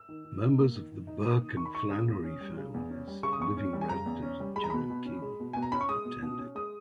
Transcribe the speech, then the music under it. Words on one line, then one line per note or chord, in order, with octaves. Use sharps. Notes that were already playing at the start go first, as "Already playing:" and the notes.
Members of the Burke and Flannery families, living relatives of John King attended.
Already playing: E6
D#3
D#3
D#4
A#3
D#3
D#3
D#4
A#3 D#6
D#3
D#3 C#6
B5
D#4 C#6
C#3 D#6
E2
C#4
G3
C#3
E2
C#4
G3
C#3 C#6
D#6
E2 C#6
C#4
G3
G#5
C#3 A#5
E2
C#4
G3
G#3 B5
A#5
B2 B5
B2
C#4
G#3
B2
B2 G#5
A#5
C#4 B5
C#6
G#3 D#6
B2
B2
C#4
G#3 D#6